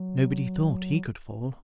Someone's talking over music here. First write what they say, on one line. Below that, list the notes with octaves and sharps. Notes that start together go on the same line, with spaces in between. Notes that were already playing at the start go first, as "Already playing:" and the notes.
Nobody thought he could fall.
Already playing: F#3